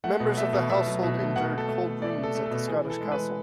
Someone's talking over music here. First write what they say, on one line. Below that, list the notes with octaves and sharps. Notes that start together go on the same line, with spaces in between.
Members of the household endured cold rooms at the Scottish castle.
A3 F#5
B2
A3 E5
B2
B2 E5
F#3
B2 E5
A3
B2 F#5
A3
A4
A3
A3
A3 D5
A3 A4
A3
A4
B2
E3 G#4
E3
A4
G#3
B4
E3